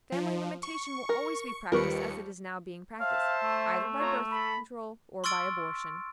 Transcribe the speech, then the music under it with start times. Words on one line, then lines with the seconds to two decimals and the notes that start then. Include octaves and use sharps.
Family limitation will always be practiced as it is now being practiced--either by birth control or by abortion.
0.12 F3
0.63 C#6
1.09 A#4
1.72 D#2 F3 G3 A#4 B4 C#6 C#7
3.00 C5 E5 F5 A5
3.43 A3
3.98 F4 C#5 A#5
4.31 A4 B5
5.24 C6 C#6 E6 F6 A6 D7